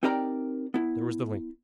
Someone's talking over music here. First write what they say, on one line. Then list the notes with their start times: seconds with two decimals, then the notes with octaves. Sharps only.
There was the link.
0.03 C4 D#4 G4 A#4 D5 A#5
0.74 B3 E4